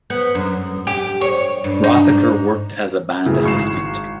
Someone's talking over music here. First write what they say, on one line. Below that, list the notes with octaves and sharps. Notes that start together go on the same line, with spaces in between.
Rothacker worked as a band assistant.
B3
F#2
G4
C#5
G2
D#4
G#2
F#2 A2 C#3 E3
G#1 C#6 C7 E7